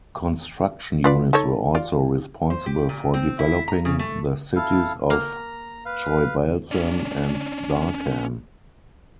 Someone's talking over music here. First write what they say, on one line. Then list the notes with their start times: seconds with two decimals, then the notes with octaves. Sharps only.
Construction units were also responsible for developing the cities of Choibalsan and Darkhan.
1.04 F4 B4 D5
1.33 D#4 A4 C#5
1.75 F4 D5
2.50 C5
2.66 G4
2.89 A#2
3.14 C4
3.39 E4
3.68 A#5
3.85 C#3
3.99 A3
4.56 E4 A4 F5
5.10 A#3 A#5
5.86 B4 F5
6.71 C#4 D4